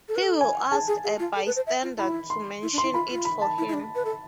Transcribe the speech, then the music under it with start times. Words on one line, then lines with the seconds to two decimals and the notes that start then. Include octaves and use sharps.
He will ask a bystander to mention it for him.
0.09 A4
0.16 B4
0.23 A4
0.41 G#5
0.71 G#4 A5
0.88 G#4
1.04 G#4
1.19 F4
1.36 A4
1.46 B4
1.56 C5
1.67 E5
1.83 F4
1.98 E4 B5
2.30 C6
2.62 E4
2.73 D4
2.78 C6
2.83 E4
2.94 F4 B5
3.10 F4
3.25 B5
3.42 A5
3.58 E4
3.68 E4
3.74 D4
3.95 B4
4.05 A4